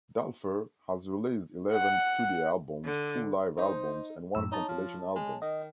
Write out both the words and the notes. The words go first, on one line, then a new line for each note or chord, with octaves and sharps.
Dulfer has released eleven studio albums, two live albums, and one compilation album.
F#5
D3
D#4 C5
F#2 A2 E6
D#4 C#5 A5
F3
G#3
D#3 D#5